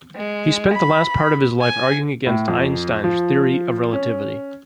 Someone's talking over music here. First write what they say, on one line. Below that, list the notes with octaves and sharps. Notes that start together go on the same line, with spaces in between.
He spent the last part of his life arguing against Einstein's Theory of Relativity.
G#3
B5
G#5
A2
F2
F3
C#4